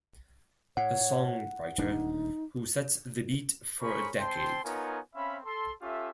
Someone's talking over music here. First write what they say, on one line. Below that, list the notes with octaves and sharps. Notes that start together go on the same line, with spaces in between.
A songwriter who sets the beat for a decade.
A2 C#5 F#5
D#1 D2 D4 D#4
G#4 A#4 C5 C#5 B5 C#6
C4 C5 G5 A5 C6
B3 D#4 F4 A#4 C#5 G#5
C4 C#4 E5 F5 B5
A4 C6
C#4 F4 G4 A4 E5